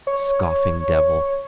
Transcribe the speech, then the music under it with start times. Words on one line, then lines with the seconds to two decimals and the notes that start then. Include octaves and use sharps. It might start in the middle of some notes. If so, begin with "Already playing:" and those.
Scoffing devil!
0.07 C#5